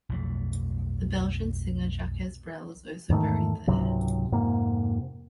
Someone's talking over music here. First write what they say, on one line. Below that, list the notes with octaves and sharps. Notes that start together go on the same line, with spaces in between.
The Belgian singer Jacques Brel is also buried there.
B1 F2 A3
E2 G#2 D#3 A3
C#2 G#2 C3 F#3
F2 G#2 C3 A#3